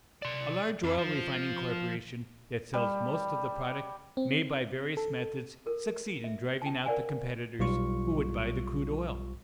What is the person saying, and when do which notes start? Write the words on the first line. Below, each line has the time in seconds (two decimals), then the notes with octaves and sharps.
A large oil-refining corporation that sells most of the product may by various methods succeed in driving out the competitors who would buy the crude oil.
0.22 D5 C6
0.83 F2
0.98 F3
2.74 G3
4.17 C4
4.97 A4
5.66 A4 A#4
6.24 E5
6.62 G5 A5
6.86 A#4 C5 D5 F5 F#5 G#5
7.59 B1 G3 F4 C#6